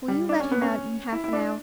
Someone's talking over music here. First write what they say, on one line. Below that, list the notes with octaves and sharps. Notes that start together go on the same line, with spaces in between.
Will you let him out in half an hour?
G3
D4
C#4
B3
C#4
E4
E4
D4